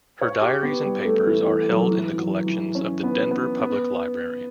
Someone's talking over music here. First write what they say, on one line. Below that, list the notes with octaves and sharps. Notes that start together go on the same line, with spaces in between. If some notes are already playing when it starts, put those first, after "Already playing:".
Her diaries and papers are held in the collections of the Denver Public Library.
C#5
G4
B3
G3
A3
E3
E3
F#3
E3
E3
F#3
E3
C#4
B3
B3
B3